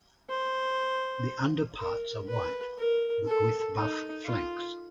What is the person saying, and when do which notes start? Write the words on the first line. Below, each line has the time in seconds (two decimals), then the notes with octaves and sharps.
The underparts are white, but with buff flanks.
0.30 C5
1.78 A#4
2.28 B4
2.77 A#4
3.27 A4
3.77 D#4
4.26 F4